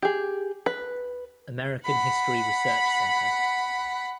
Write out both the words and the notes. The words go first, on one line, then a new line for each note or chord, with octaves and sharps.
American History Research Center.
G4 G#4
B4
F#5 B5